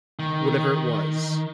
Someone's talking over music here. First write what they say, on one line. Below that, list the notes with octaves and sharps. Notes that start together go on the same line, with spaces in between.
whatever it was
D#3